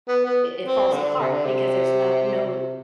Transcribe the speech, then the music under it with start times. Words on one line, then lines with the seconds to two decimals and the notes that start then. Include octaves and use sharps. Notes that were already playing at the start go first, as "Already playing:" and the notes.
i it falls apart because there's no no
0.08 B3
0.25 B3
0.67 C4
0.93 D3
1.19 C3
1.32 D3
1.45 C3
2.46 C3